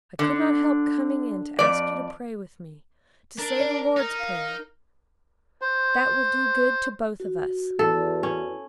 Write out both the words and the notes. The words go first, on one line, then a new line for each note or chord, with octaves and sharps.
I could not help coming in to ask you to pray with me--to say the Lord's Prayer; that will do good to both of us.'
D3
F2 D5
D4 A#4
D5
D#4 A#4
F5
C5
F#4
E2 A4
C#4